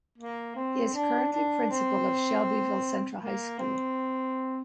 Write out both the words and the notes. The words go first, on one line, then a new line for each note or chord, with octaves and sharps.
He is currently Principal of Shelbyville Central High School.
A#3
C4
D4
D4
C4
A#3
C4